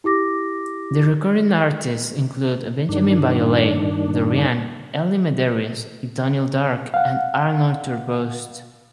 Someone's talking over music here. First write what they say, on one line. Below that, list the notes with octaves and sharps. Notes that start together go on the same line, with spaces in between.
The recording artists include Benjamin Biolay, Doriand, Elli Medeiros, Daniel Darc, and Arnold Turboust.
E4 G4 D6 A#6
G2 D#3 D4
F5 F#5